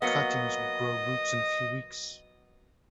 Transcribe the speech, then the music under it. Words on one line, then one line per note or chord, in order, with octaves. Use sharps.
Cuttings will grow roots in a few weeks.
F#3 A#3 B3 D#5